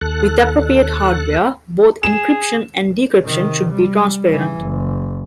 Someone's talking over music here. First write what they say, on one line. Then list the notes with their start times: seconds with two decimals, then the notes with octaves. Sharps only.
With appropriate hardware, both encryption and decryption should be transparent.
0.01 D#2 A4 F#6
2.03 G#4 E7
3.26 C3 D#3
3.72 G3
4.30 C#3 E3
4.59 F#1